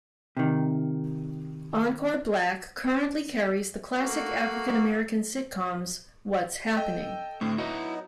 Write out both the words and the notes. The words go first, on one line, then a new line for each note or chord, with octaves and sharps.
Encore Black currently carries the classic African American sitcoms What's Happening!!
C3 D#3
A3 A#3 F#4
A4 D#5 G5
A2 D3 A3 C4
F#3 B3 D#4 E4 F#4 D#5 E5